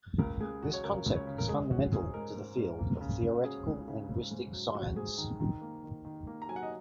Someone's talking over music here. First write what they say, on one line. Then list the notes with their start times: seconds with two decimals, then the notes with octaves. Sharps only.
This concept is fundamental to the field of Theoretical Linguistic Science.
0.19 C#2 A#4
0.41 C#2 G#4
0.62 F#3 F#4
0.73 C#5
0.84 C#3 A#4
1.06 C#2
1.16 C#5
1.27 C#3
1.38 A#4
1.48 G#3 G#4
1.71 C#4 F#4
1.92 G#2 G#4
2.14 G#3 A#4
2.36 G#2
2.57 G#2
2.79 A#3
3.01 C#3
3.23 C#3
3.35 F#4
3.44 C#4 G#4
3.66 C#2
3.88 C#3
4.09 G#2
4.31 G#2
4.53 F#3
4.75 G#2 F#4
4.96 G#2 G#4
5.18 D#3
5.40 D#3
5.61 A#3
5.84 D#3
6.05 D#3
6.27 A#3
6.42 A#5
6.48 F#3 G#5
6.56 F#5
6.63 D#5